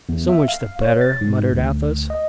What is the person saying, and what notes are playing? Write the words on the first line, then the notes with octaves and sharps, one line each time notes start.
"So much the better," muttered Athos.
E2
E5
F5
C#5
A6
G#2
D2
D#5